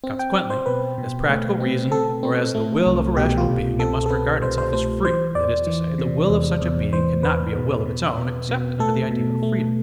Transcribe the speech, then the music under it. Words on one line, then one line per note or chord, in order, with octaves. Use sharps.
Consequently as practical reason or as the will of a rational being it must regard itself as free, that is to say, the will of such a being cannot be a will of its own except under the idea of freedom.
C4
G5
C4
C5
B2 B4
B2
A3
C4
C4 A4
C4
A3
C2
B2 G4
F4
C2
C4 A4
A4
C4 B4
C2 C5
C5
A3 C5
E3 C5
E2 D5
E3
C3
E2
E2
E3 C5
E2 B4
B2
B2
B2
B2
A3 A4
B2
A3